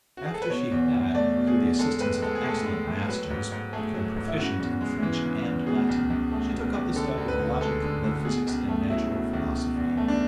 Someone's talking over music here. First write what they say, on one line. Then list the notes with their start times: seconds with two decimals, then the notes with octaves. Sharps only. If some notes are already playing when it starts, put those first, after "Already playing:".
After she had, through the assistance of excellent masters, become proficient in French and Latin, she took up the study of logic, metaphysics and natural philosophy.
0.17 F#4
0.26 G#4
0.34 A4
0.42 B4
0.50 B2 C#5
0.71 E2
0.93 E2
1.15 A3 D5
1.36 B2
1.47 G#4
1.58 E2
1.79 G#3 A4
2.00 A2 B4
2.22 G#3 A4
2.35 G#4
2.44 A2
2.49 A4
2.66 G#3
2.87 A2
3.08 F#3 B4
3.30 G#2
3.52 G#2
3.73 A3 G#4
3.94 F#3
4.16 G#2
4.28 E4
4.37 C#3 F#4
4.60 E2
4.81 G#3
5.03 E3
5.23 C#3
5.45 E2
5.67 B2 G#4
5.89 C#2
6.10 C#2
6.32 A3
6.53 B2
6.74 C#2
6.96 D3 A4
7.18 D2
7.28 B4
7.39 D2
7.61 G#3 A4
7.82 D3
8.04 D2
8.25 B2 G#4
8.47 C#2
8.69 A3
8.90 F#3 E4
9.12 B2
9.33 C#2
9.55 B2
9.76 E2
9.97 A3
10.08 D4